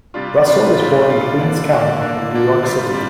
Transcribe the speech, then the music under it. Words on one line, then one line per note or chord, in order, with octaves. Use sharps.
Russell was born in Queens County in New York City.
C3 G3 D4 F4
C3 G3 D4 F4
C3 G3 D4 F4
C3 G3 D4 F4
D3 A#3 D4
D3 A#3 D4
D3 A#3 D4
D3 A#3 D4
C3 G3 D4 F4
C3 G3 D4 F4